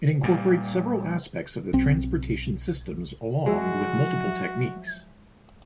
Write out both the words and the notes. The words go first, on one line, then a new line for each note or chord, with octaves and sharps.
It incorporates several aspects of the transportation systems along with multiple techniques.
A#2 G3
B1 C4
F3 F#3 G#3 F#4 E5